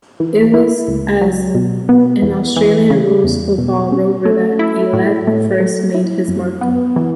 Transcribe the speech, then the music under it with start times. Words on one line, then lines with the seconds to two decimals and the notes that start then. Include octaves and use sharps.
It was as an Australian rules football rover that Aylett first made his mark.
0.20 E3
0.54 E4
0.88 C#2
1.21 F#3
1.55 B2
1.89 B3
2.22 E2
2.56 E3
2.90 C#3
3.24 E2
3.58 B2
3.92 C#4
4.25 A3
4.59 E4
4.93 A2
5.27 A3
5.60 F#3
5.94 E4
6.28 F#2
6.61 B3
6.96 E3